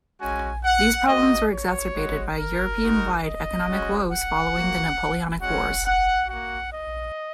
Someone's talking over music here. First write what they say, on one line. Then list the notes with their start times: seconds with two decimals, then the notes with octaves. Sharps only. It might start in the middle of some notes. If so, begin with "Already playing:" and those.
These problems were exacerbated by European wide economic woes following the Napoleonic Wars.
0.21 G#3 C#4 F#4 G#5
0.65 F#5
1.07 A#3 F#4 D#5
1.51 C#5
1.94 G#3 F#4
2.38 A#4
2.81 G#3 D#4 F#4
3.24 D#5
3.68 G#3 C#4 F#4
4.11 F#5
4.55 A#3 F#4
5.42 G#3 C#4 F#4 F#5
5.85 F#5
6.28 A#3 F#4 F#5
6.72 D#5